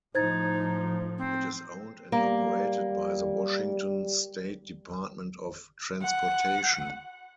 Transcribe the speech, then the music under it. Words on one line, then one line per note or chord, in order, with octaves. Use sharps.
It is owned and operated by the Washington State Department of Transportation.
A2 F3 D#4 C5 G#6 A6
C4
G3 A#3
F#5